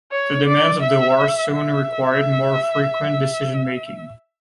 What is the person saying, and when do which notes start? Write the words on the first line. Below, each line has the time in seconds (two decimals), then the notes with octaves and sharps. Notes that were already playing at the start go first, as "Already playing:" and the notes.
The demands of the war soon required more frequent decision-making.
0.12 C#5
0.48 D5
0.82 E5
1.52 E5